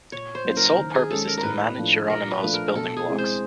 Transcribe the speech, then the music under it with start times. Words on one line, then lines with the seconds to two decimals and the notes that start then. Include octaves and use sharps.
Its sole purpose is to manage Geronimo's building blocks.
0.12 A#2 C#5
0.35 C5
0.45 F#3 A#3 C#4 E4
0.57 A#4
0.78 D#3
0.95 G#4
1.10 G#3 C#4 A4
1.27 A#4
1.38 A#4
1.43 A2 B4
1.77 F3 A3 D4
2.10 A#2 A#4
2.31 B4
2.42 F3 A3 D4
2.54 A#4
2.75 B2 A4
2.97 G#4
3.07 G#3 C4 E4
3.18 C5